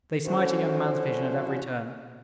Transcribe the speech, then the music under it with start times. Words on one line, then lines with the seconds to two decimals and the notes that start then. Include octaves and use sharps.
They smite a young man's vision at every turn.
0.25 D3 F3 C#4 E4 F#4 C5